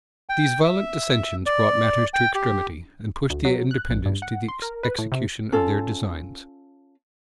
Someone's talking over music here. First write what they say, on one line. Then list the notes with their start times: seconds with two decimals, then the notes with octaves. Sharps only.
These violent dissensions brought matters to extremity, and pushed the Independents to the execution of their designs.
0.29 G5
0.64 E5
1.46 D5
2.14 G5
2.35 G4
3.30 D2
3.45 F#3
3.71 F#6
3.90 A#1
4.06 G2
4.22 F#5
4.48 C6
4.62 A#4
4.83 B4
4.99 A2
5.12 C3
5.52 C#4 F4 A4